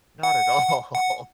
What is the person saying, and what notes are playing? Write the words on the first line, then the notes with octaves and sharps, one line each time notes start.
not at all.
F#5
F#5